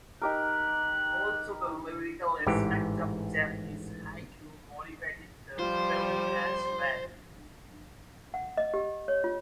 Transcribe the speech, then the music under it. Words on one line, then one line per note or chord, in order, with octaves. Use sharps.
Also the lyrical aspect of Japanese Haiku motivated the fim as well.
D#4 G4 A#4 F#6
A1 G#2 E3 G4
F3 G3 F4 C5 C6
F#5
D#5
G4
C#5
F4